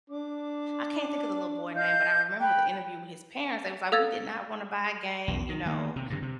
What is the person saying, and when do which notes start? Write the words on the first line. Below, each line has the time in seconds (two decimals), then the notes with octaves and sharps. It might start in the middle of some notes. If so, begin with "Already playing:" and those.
I can't think of the little boy name, but I remember the interview with his parents. They was like, "We did not wanna buy a game, you know.
0.10 D4 D6
1.75 D#5 F5 G6
2.41 G5 B5 F#6
3.92 A4 F5 E6 G#6 A6
5.28 B1 E2
5.49 D#3
5.66 D#3 A#3
5.96 C3
6.10 G2 D3
6.22 C3